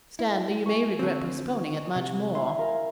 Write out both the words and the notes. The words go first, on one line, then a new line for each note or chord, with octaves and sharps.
'Stanley, you may regret postponing it, much more.'
E4
C#5 G#5
D3 C4
C3
E4 C6
A#4 F5 G#5